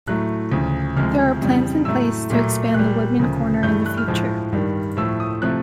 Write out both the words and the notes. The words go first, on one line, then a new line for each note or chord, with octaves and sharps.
There are plans in place to expand the Woodman corner in the future.
A2 F#3 A3 F#6
D2 C#3 F3
D2 C3 F3 G#3 F6
F2 C#3 E3 G3
A2 F#3 A3 E6
A#2 F#3 A3
A#2 G3 F#6
D2 C#3 F3
G2 E3 A3 G6
F#6
F6
A2 F3 G#3
G2 D#3 G3
A2 F3 A3 E6
D#6
C3 F3 A3 F#6